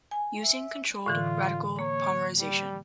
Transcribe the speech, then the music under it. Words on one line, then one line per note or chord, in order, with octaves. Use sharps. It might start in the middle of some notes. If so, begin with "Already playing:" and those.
Using controlled radical polymerization.
G#5
E5
A2 D3 E3 F4
A#3 C#5
G3